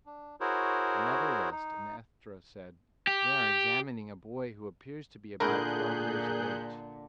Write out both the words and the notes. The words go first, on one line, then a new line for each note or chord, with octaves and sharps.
Another rest, and Estra said: "They are examining a boy who appears to be about twelve years of age."
D4
E4 F#4 G#4 A#4 C5 C#5
D#4
G4
A#2 D3 A3 E4 G#4 A#4 F#6 G6